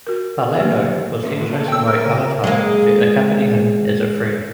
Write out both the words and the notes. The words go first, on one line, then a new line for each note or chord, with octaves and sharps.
Pallando was then chosen by Alatar to accompany him as a friend.
F#4 A#4
F#3 A3 A#3 G4
A3 A#3 C#4
A2 E3 F#4
A#3 A4
G5 E6
A#4
C#3
G#3 A#3